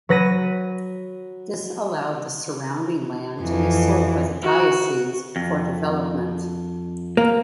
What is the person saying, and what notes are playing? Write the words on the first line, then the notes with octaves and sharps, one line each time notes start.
This allowed the surrounding land to be sold by the Diocese for development.
F#3 B4 A#6 D#7
F2 E3
F#4
F2
A#3